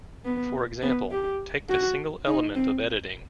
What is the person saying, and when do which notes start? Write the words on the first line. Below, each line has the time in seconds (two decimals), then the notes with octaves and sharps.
For example, take the single element of editing.
0.25 B3
0.82 B3
1.11 G4
1.69 F#4
2.27 D#4
2.55 C4